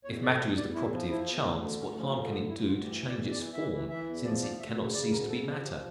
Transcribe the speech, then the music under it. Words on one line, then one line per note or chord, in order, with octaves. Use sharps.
If matter is the property of chance, what harm can it do to change its form since it can not cease to be matter?
E2 C#5
D3 D5
E2 E5
E2 D5
E2 E4
F3
F3 E4
E2
D2 E4
D3 D4
D2 C#4
F3 C#4
D3 A#3
D2 D4
D2 E4
D2 F4
E3 G4
E2
D5
E3
D5
E3
E3 E5
E3
E3 E5
E2
F3 D5
D2 D5
D2 E5
C#3
C#3 D5
D2 A#4
C#3 A4
F3 A4
F3 G4